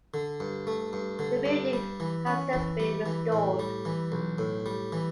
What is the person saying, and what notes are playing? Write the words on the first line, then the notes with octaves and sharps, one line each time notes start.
The building has since been restored.
D3
G2
A3
G2
D3
G2
G3
E3
C#4
E3
G3
E3
A2
G3
E3
B1
A2
G3
E3